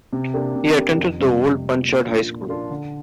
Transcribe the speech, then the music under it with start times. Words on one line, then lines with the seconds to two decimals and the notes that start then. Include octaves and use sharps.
He attended the old Punchard High School.
0.13 C3
0.34 A#3 D4 G4 A#4
0.55 C3
0.77 A#3 D4 G4 A#4
0.98 F2
1.20 C3 G3
1.41 F2
1.62 C3 G3
1.84 A#2
2.06 F3 A#3 D4 F4
2.28 A#2
2.49 F3 A#3 D4 F4
2.70 D3